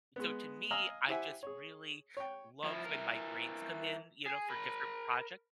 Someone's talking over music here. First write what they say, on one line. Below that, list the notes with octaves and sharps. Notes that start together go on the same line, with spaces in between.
so to me, I just really love when my grades come in, you know, for different projec
G#3 B3
D#5 F5 G#5 A#5 E6 F6
E4 G4 C5 E5 F#5 G#5
G#4 C#5
C#5 G5
F3 E4
E3 A#4
G#4
A#4 B5